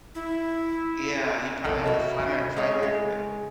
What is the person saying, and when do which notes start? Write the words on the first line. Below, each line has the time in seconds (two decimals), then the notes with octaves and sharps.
Yeah, you probably have to finan finance it.
0.15 E4
1.64 B1 C3 A#3 A4
1.84 D#4 E4 F#4
2.19 C#3
2.57 G#3 C#4 F5
2.83 G#3